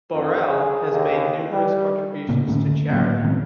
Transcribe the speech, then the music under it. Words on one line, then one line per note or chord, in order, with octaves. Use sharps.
Borrell has made numerous contributions to charity.
F2
G#4
D#2
G3
A2 C#3 A#3 B3
D3 F3 A3 C#4
A2 F#3 A#3 C#4
D#3 G#3 B3 C4